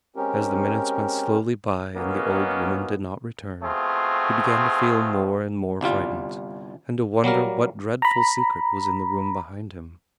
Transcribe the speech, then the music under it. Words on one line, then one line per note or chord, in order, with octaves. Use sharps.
As the minutes went slowly by and the old woman did not return, he began to feel more and more frightened, and to wonder what dreadful secret was in the room behind him.
G#3 C4 C#4 G4 A#4
D#3 F#3 A#3 B3 C#4 D#4
B2 A3 C4 F4 G#4
G1 C2 G3 F4
F#3 G3 A#3 A#4
A#5 B5